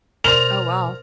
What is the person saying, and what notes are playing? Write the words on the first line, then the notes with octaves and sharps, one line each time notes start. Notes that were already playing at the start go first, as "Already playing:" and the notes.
Oh wow.
B2 A#4 C5 D5 F7